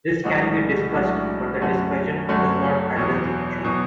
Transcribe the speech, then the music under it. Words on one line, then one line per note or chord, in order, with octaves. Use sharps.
This can be discussed, but the discussion does not address the issue.
B1 A2 G#3 D4 F#4
B1 A2 G#3 D4 F#4
F#2 D3 A3 C#4 F#4
F#2 D3 A3 C#4 F#4
E2 B2 F#3
B2 F#3